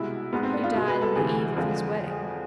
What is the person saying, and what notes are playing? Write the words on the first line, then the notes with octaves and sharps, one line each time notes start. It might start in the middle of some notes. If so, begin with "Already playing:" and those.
He died on the eve of his wedding.
Already playing: C2 B2 G#3 E4
G#2 G#3 B3
C4
D4
F4
C2 B2 G#3
B4
A4
D2 C3 E3 G#4
F2 D3 F3 G#3